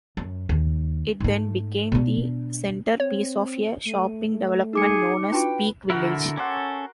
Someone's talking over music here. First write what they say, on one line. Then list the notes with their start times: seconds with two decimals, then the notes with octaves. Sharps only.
It then became the centrepiece of a shopping development known as Peak Village.
0.17 F#2
0.49 D#2
1.20 G#2 A3
1.92 B2 D4
3.00 C4 C#5
3.85 A3 D#7
4.73 D#4 G#4 D6 C#7
5.32 D4 F4 F#4 B4 G5
5.90 D3 E4 F#4 A#4
6.37 C#4 A4 F#5 C6 D6